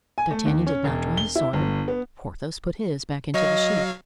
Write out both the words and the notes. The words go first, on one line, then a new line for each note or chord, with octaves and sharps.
D'Artagnan did not draw his sword; Porthos put his back into the sheath.
G#5
A3
D#2
C#4
E1
G7
E4
G1
B3
F#3 C#5 D#5 F5